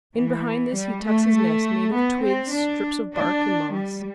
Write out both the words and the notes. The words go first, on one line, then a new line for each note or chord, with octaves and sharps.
In behind this he tucks his nest made of twigs, strips of bark and moss.
E3
G3
A3
B3
C4
D4
D4
G3